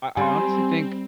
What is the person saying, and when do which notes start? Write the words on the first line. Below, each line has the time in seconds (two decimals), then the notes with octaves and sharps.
I I honestly think
0.17 G3 C4 G#5 C6